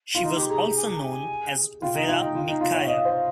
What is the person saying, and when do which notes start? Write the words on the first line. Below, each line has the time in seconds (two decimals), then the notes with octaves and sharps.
She was also known as Vera Micaia.
0.15 F4
0.23 D#4 C6
0.36 G4
0.50 G#4 A#5
0.63 G#4
0.76 G#5
0.87 A#5
0.97 G#5
1.82 F4 G5
1.95 D#4
2.08 F4
2.22 D#4
2.34 F4
2.48 D#4
2.61 F4
2.74 C#5
2.81 G5
2.87 D#5 F5
3.05 C5